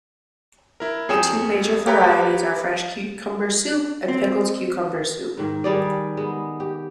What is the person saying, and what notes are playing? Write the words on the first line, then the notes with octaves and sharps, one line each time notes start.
The two major varieties are fresh cucumber soup and pickled cucumber soup.
E4 A#4
F2 G#4 C#5 G5 D#6 E7
G4 B4 C#5 G5 A#5 B5
C4
G#2 D#3
D#3 G3 G#4 D5
G#3 B3
G4